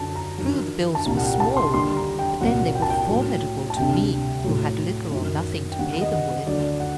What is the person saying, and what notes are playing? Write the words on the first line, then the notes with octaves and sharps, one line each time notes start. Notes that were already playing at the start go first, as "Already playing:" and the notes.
It is true, the bills were small, but then they were formidable to me, who had little or nothing to pay them with.
Already playing: F#2 D3 F#3 A5
A#5
G2 D#3 F#3
A5
C2 A#2 G3 A#5
F#5
G5
A5
C6
D#2 D3 G3 C6
A#5
G5
C2 A#2 F#3 F#5
G5
A5
G5
A2 F#3
A5
D2 C3 G3 G5
A2 F#3
F#2 D#3 F#3
G5
D#2 D#3 G3 F#5
D#5
F#5
D2 D3 F#3 D5
F#5